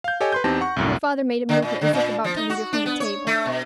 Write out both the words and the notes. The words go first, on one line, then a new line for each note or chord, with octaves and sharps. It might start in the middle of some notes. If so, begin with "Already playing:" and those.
Her father made a movement as if about to lead her from the table.
F5 G6
G4 A4 C#5 D#5 G#5
B4 C6 G6
E2 C4 D#4 G4 A5 A#6
F#5 C#6
C2 F#2 A2
D3
A#2
D3
A#2
F3
D#4
F#4
D4
B3
C#5
A3
B2